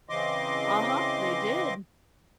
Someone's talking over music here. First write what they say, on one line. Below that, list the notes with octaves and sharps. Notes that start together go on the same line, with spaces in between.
Uh-huh, they did.
C#3 E3 C4 D#5 C6 D6